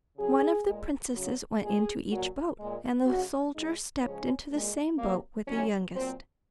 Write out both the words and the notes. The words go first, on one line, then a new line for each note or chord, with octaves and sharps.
One of the princesses went into each boat, and the soldier stepped into the same boat with the youngest.
C#3 F#3 G#4
A#2 G#3
C#3 F#3
A#2 G#3 G#4
A#2 F#3
A#2 G#3
C#3 G#3 F#4
C#3 G#3 D#4
C#3 F3 G#3 C#4
A#2 G#3
C3 F#3 A#3
C3 D#3 F#3 C#4
A#2 F#3 C4